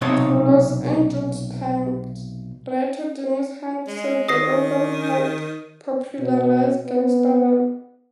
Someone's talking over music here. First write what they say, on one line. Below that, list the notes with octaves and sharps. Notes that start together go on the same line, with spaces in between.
"Los Angeles Times" writer Dennis Hunt said the album helped popularize gangsta rap.
B1 C3 C4 D#4 C#5 A5
G#3
D#3 D#6 A#6 C7
B2
B3